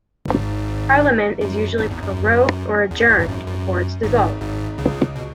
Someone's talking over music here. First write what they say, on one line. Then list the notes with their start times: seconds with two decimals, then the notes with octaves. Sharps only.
Parliament is usually prorogued or adjourned before it is dissolved.
0.28 G#1 G#2
1.41 F#2
1.78 G#1 G#2
1.91 E2
2.03 F#2
2.91 E2
3.00 F#2
3.09 A1 A2
3.19 G#1 G#2
3.28 F#2
3.47 F#2
4.03 G#1 G#2
4.41 G#1 G#2
4.78 C#2 C#3
5.16 B2